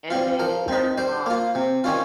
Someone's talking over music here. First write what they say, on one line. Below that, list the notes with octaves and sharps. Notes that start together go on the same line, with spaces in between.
and then it turned them off.
G3 C4 F4
F3 A#4
C4 D#4
G3 C5
A#3 F4
C3
D#3 G3 C#4 F4